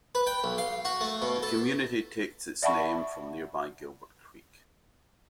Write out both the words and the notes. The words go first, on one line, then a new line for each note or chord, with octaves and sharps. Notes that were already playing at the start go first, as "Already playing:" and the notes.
The community takes its name from nearby Gilbert Creek.
B4
G5
B1
F5
F#4
A3
B2
A4
D5 E5 F#5 A5 B5 C#6